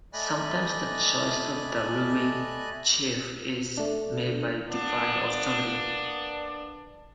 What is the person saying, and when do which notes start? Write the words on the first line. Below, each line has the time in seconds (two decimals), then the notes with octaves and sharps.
Sometimes the choice of the ruling chief is made by divine authority.
0.13 A3 D5 D#5 G#5 B5 F#6
3.77 A3 D4
4.69 A#3 B3 D4